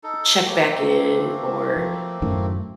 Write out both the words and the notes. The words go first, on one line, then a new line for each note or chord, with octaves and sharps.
check back in, or,
D#4 A4
A3 A#3 C4
F3
F#2 A2 D#3